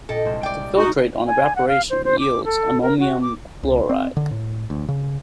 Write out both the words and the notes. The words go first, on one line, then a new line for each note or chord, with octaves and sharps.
The filtrate on evaporation yields ammonium chloride.
A#2 A4 D#5 G5
C2 G#3 C5
D5 G5
D#4 F#4
G#5
F#5
F5
C5
C5
D6
A4
A#4
F#4
D6
C#2
C4
D3
A2
D2
C#3